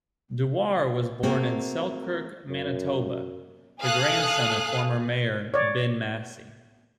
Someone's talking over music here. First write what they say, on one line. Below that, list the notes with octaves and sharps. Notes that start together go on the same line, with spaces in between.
Dewar was born in Selkirk, Manitoba, the grandson of former mayor Ben Massey.
A3 A#3 C4 F#4 G#4 A#4
F#2
G#4 A4 F5 D#6 F#6
C#5 D5